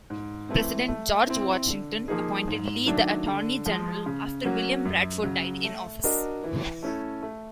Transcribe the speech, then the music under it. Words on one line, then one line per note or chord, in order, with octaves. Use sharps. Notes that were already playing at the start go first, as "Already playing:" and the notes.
President George Washington appointed Lee the Attorney General after William Bradford died in office.
G#2
E3 A3 C4
A3
C4 E4
D3
F3 A#3 D#4 G#4
G#2
D#3 F#3 A3 D4
D3
F3 G#3
C#3
F#3 A#3 C#4 F#4
F#2
C#3 F#3
A3
D4 F#4 A#4 D#5
E3
A3 C#4 E4 A4
A3